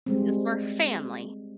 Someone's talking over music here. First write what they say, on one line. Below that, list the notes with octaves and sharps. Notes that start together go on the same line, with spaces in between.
is for family.
G3 G#3 C4